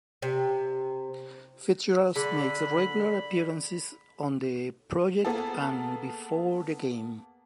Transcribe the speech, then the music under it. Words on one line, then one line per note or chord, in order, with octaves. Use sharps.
Fitzgerald makes regular appearances on "The Project" and "Before The Game".
C3
D3 G#4 B5 D6
A#3 B3 G#4 A4